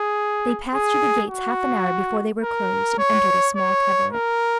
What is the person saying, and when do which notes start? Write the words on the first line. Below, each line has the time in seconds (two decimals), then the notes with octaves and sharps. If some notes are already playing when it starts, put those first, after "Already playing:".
They passed through the gates, half an hour before they were closed, and entered a small cabaret.
Already playing: G#4
0.74 G#4
1.30 F#4
2.43 A#4
2.99 C#5
3.56 C#5
4.13 A#4